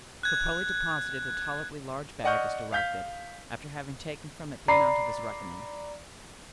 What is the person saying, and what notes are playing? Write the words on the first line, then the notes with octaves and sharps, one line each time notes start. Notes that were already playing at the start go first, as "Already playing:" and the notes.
Cropole deposited a tolerably large bag as directed, after having taken from it the amount of his reckoning.
F#6 G#6
D5 D#5 F#5 C#6 F6 G6
F5 G6 B6
D5 A#5 B5 C7